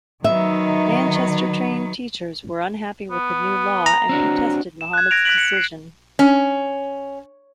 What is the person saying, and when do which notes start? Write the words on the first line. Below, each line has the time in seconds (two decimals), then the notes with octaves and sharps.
Manchester-trained teachers were unhappy with the new law and protested Mohamad's decision.
0.24 D#3 F#3 B3 D#4 E5
3.11 B3
3.86 A#5
4.09 C4 D4 F#4
4.81 E7
4.93 F#6 G#6
5.11 G#6 A#6 D7 F7
5.25 F#6 G#6 B6 D7 F#7
5.38 C#7
5.53 F#6 C7
6.19 C#4